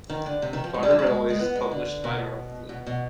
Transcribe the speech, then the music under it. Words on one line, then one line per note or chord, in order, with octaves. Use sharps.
"Garden Railways" is published bi-monthly.
D#3
D3
C3
D#3
F3
G#3
G3
F3
G3
G#3
G#3
B3
G#3
D3
B2
B2
B2